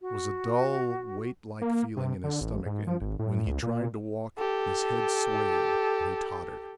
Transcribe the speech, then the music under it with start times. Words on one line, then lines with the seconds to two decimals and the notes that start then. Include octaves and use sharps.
There was a dull, weight-like feeling in his stomach, and, when he tried to walk, his head swayed and he tottered.
0.01 F#4
1.61 A#3
1.97 C3
2.24 D3
2.41 A1
2.66 G#2
2.87 F3
3.01 G#1
3.19 A2
3.47 C#2
3.63 A#2
4.38 G4 A4